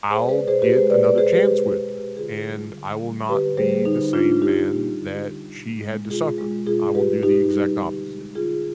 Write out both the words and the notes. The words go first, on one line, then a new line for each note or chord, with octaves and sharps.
I'll get another chance with her, and I will not be the same man that she had to suffer. I will do the exact opposite,
G#4 C5
G#3
B4 D5
B2 G#4 C5
G4 B4
G#3 G#4 C5
B4 D5
B2 B4 D5
G#4 C5
G#3 G4 B4
B2
G#3
D3 F4 G#4
G3
D3
G3
D3 G4 B4
G3 G#4 C5
D3 D#4
G3 D4 F4
D3 D#4 G4
G3
D3
G3
B2
G#3
B2 F4 G#4
G#3
B2 F4 G#4
G3 G4 B4
B2 D#4 G4
G3
D3
G#3
D3 F4 G#4